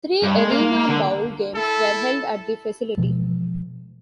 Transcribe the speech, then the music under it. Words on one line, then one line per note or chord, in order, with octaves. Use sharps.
Three ArenaBowl games were held at the facility.
G2
G#3
A#3
D3
E4 A4
B2 E3 F3 G#3